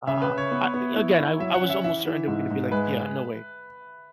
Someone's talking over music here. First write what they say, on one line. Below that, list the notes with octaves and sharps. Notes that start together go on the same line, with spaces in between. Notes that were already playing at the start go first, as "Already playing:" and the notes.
Uh, I again, I w I was almost certain they were going to be like, yeah, no way.
C#3 E5
B4
C#3
C#5
B3
B3
E4
E4
F#3 E5
F#5
C#4
E5
E3 E5
E3
G#2
G#2
G#3 B4